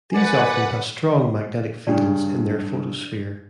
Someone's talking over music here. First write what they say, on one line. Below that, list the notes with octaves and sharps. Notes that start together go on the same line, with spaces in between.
These often have strong magnetic fields in their photosphere.
C2 B4 D5 F#5 G#5
G2 C#3 D4 D5